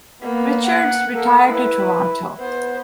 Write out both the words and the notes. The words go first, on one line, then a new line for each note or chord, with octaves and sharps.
Richards retired to Toronto.
A#3 B3
F#5
A#3 A4
E4 B4
B3 C5